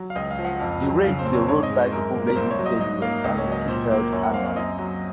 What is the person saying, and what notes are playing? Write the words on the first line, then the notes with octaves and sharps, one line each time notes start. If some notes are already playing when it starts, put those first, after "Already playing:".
The race is a road bicycle racing stage race and is still held annually.
Already playing: F#3
F5
C#2 D#5
F5
F3
F#5
F2 F5
F#3
C#3 F5
C5
C4
C#5
G#2 C#5
D#5
G#3
C5
F#2 A#4
A#3
A#4
C2 C5
C#5
F#3
D#5
G#2 D#5
A#3 F5
C#2 D#5
C#5
F#3 D#5
A#2 C5
A#3
F#2 C#5
F#5
C4 F5
F5
F#2 D#5
F#3